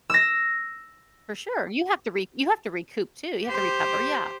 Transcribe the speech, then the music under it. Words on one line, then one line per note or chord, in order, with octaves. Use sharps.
For sure, you have to re you have to recoup too, you have to recover, yeah.
E6 A#6
G4 C5